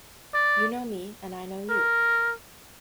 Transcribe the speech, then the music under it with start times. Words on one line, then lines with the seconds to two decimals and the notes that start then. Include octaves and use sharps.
You know me, and I know you.
0.34 D5
1.70 A#4